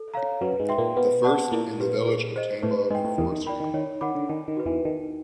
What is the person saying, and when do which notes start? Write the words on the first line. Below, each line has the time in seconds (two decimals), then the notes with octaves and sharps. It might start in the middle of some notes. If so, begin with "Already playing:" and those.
The first - in the village of Tambov Forestry.
Already playing: A4
0.14 C#5 F5 A#5
0.41 F#2 F#3 B4
0.60 G#2 G#3
0.69 E5 G5 C6
0.78 A#2 A#3
0.96 B2 B3 B4
1.24 D5 F#5 A5
1.52 A#2 A#3 E4
1.80 G4 B4
2.08 G#4
2.36 C5 D#5
2.63 A2 A3 B4
2.90 G#2 G#3 D#5 G5
3.05 A2 A3
3.18 E2 E3 A#4
3.32 D#3
3.47 D5 G5 B5
3.60 D#3
3.74 D#3 C#5
4.01 D#3 F#5 B5 D6
4.15 D3
4.29 D#3 D#4
4.48 D#3
4.57 F#4 B4
4.66 E2 E3
4.85 D#3 D#4